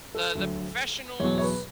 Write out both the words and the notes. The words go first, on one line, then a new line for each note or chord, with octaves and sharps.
The the professionals,
A4
D2 D3 F#3
E2 B2 F#3 C#5
C#5
B4